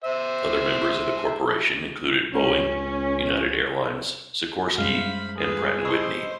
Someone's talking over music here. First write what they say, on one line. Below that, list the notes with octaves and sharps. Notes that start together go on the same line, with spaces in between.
Other members of the corporation included Boeing, United Airlines, Sikorsky, and Pratt and Whitney.
C5 E5
C#2 C#4
F#2 G3 G#3 C5 F5 B5
F4 G#4 B4
C5 D#5 B5 C#6 E6